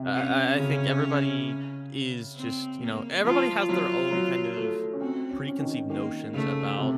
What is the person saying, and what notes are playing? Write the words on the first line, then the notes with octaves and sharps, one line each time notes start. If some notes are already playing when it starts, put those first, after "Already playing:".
I I I think everybody, is just you know everybody has their own kind of, preconceived notions about,
Already playing: C3
C#4
C#3
C4
A#3
F3 F4
F#3 F4
F#3
A3
C#4
C4 F#4
C#4
C#4
D#3
D#3 A#3
C#3 A3
C3